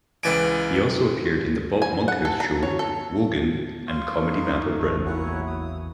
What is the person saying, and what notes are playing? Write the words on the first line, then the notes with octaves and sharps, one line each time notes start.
He also appeared in "The Bob Monkhouse Show", "Wogan" and "Comedy Map of Britain".
C#2 E3 B4 D5 G#5 D7
G#5
F#5
A4
A#5
C#5
A4
F4 C6 C#6
D#4
A1 E2 E3 A3
F#3 A#3 E4 C#5 F#5 G#5
D#6